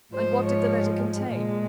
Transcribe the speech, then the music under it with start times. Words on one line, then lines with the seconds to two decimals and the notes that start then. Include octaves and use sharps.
"And what did the letter contain?"
0.14 G#2 F3 G#3 C5
0.44 C#5
1.33 A#2 G#3